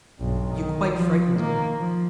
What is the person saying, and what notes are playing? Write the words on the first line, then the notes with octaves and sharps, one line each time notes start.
You quite frightened me.
B1 G2
D#3
F3
D#3 A#3
F3